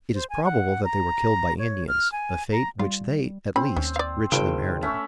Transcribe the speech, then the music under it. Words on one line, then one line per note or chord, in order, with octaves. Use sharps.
It is probable that they were killed by Indians, a fate which they, at least, richly merited.
C5
G#5
F#5
A#5
C#5
F6
G#5
A#5
G3 F4
C4 C#4 B5
D#2 C#4
D5 F5
G#1 G2 C#3 E4 G5
A3 C#4 E5